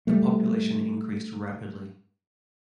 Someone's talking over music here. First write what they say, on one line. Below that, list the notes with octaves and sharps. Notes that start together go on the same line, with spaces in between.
The population increased rapidly.
G3 A3